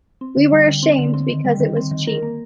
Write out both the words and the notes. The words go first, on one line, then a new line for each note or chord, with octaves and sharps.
We were ashamed because it was cheap.
C4
D3
G3
D3
C4
D3
C4
D#3
G3
D#3
C4
D#3
A#4
A#3